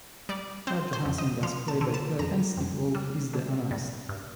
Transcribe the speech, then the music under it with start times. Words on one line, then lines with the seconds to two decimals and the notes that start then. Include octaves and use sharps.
Brad Johansen does play-by-play and Steve Wolf is the analyst.
0.29 G3 D5
0.67 C4 C5
0.93 C5
1.05 F2
1.18 D#5
1.43 F3 F5
1.68 A5
1.81 D3
1.94 A5
2.19 F2 A#5
2.57 F2
2.95 G3
3.33 D3
3.71 G2
4.09 G2